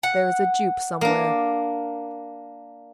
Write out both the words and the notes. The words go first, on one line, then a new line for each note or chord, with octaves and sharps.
"There is a dupe somewhere."
F#5
A#3 D4